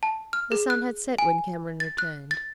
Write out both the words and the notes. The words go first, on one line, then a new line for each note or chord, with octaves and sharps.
The sun had set when Cameron returned.
A5
F6
G#4
F#6
G#5
A6
F#6
A6